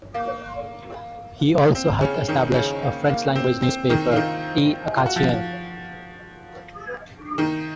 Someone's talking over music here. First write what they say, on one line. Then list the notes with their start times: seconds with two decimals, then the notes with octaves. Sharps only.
He also helped establish a French language newspaper "l'Acadien".
0.14 A#3
1.75 C4
2.02 C#3 C#4
2.28 D#3 D#4
2.55 C#3 C#4
2.82 A#3
3.09 A#3
3.35 C4
3.62 C4
3.89 D#3 D#4
4.12 F4
4.16 D#3 D#4
4.96 F4
5.06 F#4
5.16 F3 F4
7.38 D#3 D#4